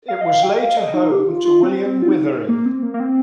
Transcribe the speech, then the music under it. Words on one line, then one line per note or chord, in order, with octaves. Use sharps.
It was later home to William Withering.
F5
D#5
F5
G5
F5
D#5
D#4
G4
F4
F4
C4
C4
F4
D#4
A#3
C4
A#3
A#3
C4